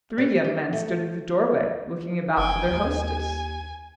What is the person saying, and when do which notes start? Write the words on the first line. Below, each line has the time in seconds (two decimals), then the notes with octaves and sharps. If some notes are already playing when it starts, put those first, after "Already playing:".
Three young men stood at the doorway looking about for their hostess.
0.18 G3
0.44 G4
0.73 A3
2.37 F#1 G5 G#5
2.71 D#2 G#5